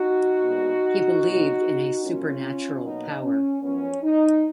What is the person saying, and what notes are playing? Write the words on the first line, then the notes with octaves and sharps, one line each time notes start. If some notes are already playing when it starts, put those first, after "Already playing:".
He believed in a supernatural power.
Already playing: D#4 F#4
A#2 G#3 B3
B2 F#3 A#3
B2 F#3 A#3 C#4 F4
B2 F#3 A#3 D#4
C#4
F#2 F3 B3 C#4
D#4